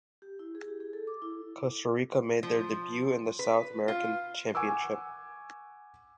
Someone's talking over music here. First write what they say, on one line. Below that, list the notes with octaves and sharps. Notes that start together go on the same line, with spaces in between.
Costa Rica made their debut in the South American Championship.
G4
E4
G#4
G4
G#4
A4
D6
E4
F3
B4
F4
F#5 G#5 C#6 D6 E6